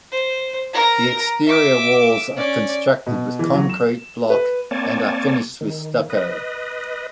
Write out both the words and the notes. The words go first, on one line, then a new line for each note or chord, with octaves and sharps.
The exterior walls are constructed with concrete block and are finished with stucco.
C5
A#4 A#5
E5 D6
C#4 D5
B2
E3
F#3
E7
B4
A#3 C4 C#5 D5 G#5 A5
D#3
B4 D#5